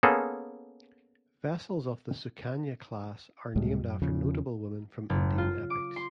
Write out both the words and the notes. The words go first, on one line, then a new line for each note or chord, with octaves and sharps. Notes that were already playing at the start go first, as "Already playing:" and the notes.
Vessels of the "Sukanya" class are named after notable women from Indian epics.
A#3 B3 C#4 G#4 A4
C#2 A2 G3 G#3
F#2
E2 C#3 F3
F#1
F4
D6
C6